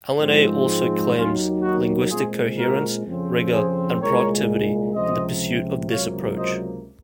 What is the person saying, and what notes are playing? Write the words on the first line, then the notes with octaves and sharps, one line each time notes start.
Alinei also claims linguistic coherence, rigor and productivity in the pursuit of this approach.
G#2 F3 G#3 C4
D#2 D#3 F#3 A#3 C#4 F4
D#4 F#4
A#2 G#3 C4 F4 G#4
F#4 A#4
F2 C#3 F3 C4
G#4 C5
C2 A#2 G#3 A#4 C#5
C#2 C3 F3 C5 D#5
C#2 C3 F#3 A#3 C#5 F5
C5 D#5